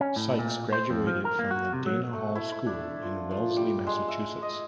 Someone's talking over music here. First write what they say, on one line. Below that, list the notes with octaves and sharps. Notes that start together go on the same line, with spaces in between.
Sykes graduated from the Dana Hall School in Wellesley, Massachusetts.
C#4
A2
A#2
C5
F2
F3
A#4
A#3
F#4
C3
F#3
A3
E4
E4
D4
F3
F3
G3
G#3
E5
D#5